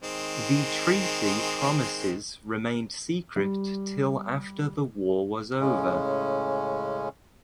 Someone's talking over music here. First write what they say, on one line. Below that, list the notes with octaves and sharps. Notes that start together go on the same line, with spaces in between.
The treaty promises remained secret till after the war was over.
D#3 G#3 C4
G3
A2 C#3 G#3 C#4